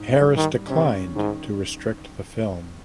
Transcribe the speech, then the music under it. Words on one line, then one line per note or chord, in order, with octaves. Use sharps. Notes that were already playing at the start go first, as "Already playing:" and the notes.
Harris declined to restrict the film.
Already playing: G#2
G3
D#3
C3 C#4
G#2 D#3